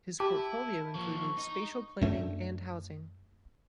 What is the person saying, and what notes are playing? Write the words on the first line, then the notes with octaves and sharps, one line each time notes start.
His portfolio included spatial planning and housing.
E4 G4 A5
F3 A#3 C#6
D#4
F#2 A3 D4